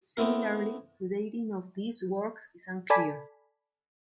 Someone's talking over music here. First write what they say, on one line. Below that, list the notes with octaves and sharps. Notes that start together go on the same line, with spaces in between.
Similarly, the dating of these works is unclear.
A3 B3 C4 E4 A#4
A4 D5 G#5 B5